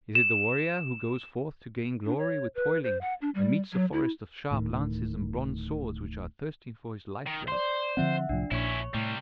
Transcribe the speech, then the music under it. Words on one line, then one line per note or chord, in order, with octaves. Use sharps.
Is it the warrior who goes forth to gain glory with toiling, and meets a forest of sharp lances and bronze swords which are thirsting for his life blood?
E7
D4
C#5
B4
C5
F#5
D4
G3
F#3
E4
D1 A2 D#3
D#3
C5 D5 C6
D3 F3 C4 E5 F#5
C2 A2 F3 D4
A#1 A#2 C#4 E4 C#5 C#6
A2 C3 G3